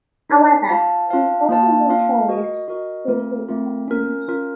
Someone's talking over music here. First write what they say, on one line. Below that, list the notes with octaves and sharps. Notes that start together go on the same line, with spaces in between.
However, he was also notorious for his weight problems.
D#4 A#4 C#5
F4 C5 F5 A5
F4 C5 F5 A5
A#3 F4 C5 F5 A5
A#3 F4 C5 F5 A5
F#4 A#4 D#5
F#4 A#4 D#5
A3 C4 F4 A#4
A3 C4 F4 A#4
C#4 F4 A#4
C#4 F4 A#4